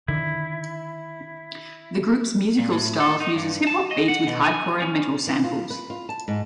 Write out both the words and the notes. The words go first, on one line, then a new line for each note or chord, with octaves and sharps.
The group's musical style fuses hip hop beats with hardcore and metal samples.
D3 D#3 E4
A#2
A2
A4
D#4
G2
A5
D#5
F#5
B2
G#5
C#4
E3
F4
B4
F4
A5
G#2